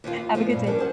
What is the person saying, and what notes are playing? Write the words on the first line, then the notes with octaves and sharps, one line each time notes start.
Have a good day.
D#2 F4
F4
F3 G#3 A3 B3 C4 F4
G2 A#2
F3 G3 C#4 D4 A#4
G#4 C5 F#5